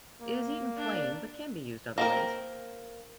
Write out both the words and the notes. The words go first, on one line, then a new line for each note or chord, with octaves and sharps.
It is eaten plain, but can be used other ways.
A#3
D4 D5
A#3 C4 A#4